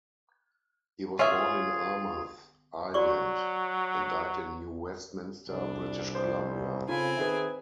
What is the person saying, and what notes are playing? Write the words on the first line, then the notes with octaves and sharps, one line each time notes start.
He was born in Armagh, Ireland and died in New Westminster, British Columbia.
C#4 F4 G#4 E5
F#3 F#4 D5 C#6
C2 D4
C5
C#3 C4 F4 A4 G#5 B5
D#3 G#4 B4 E5